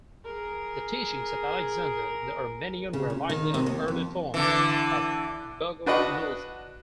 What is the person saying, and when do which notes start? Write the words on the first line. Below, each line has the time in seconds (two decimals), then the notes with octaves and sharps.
The teachings of Alexander the Armenian were likely an early form of Bogomilism.
0.25 G#4 A#4
2.93 C#3
3.10 A#2
3.30 D#3
3.54 C3
3.66 D#2
3.88 F2
4.34 D3 E3
5.86 D4 F#4 B4 D#5 F#5